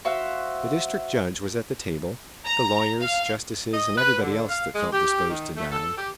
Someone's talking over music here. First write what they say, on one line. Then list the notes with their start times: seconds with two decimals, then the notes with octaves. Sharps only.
The district judge was at the table, the lawyers, justices, and everybody else that felt disposed to dine.
0.05 F#4 C5 E5 F5
2.45 A#5
3.01 F5
3.74 D#5
3.98 B4
4.21 D3
4.49 F5
4.75 G#3
4.93 G4
5.30 D#3
5.56 A3
5.71 A4
5.98 G4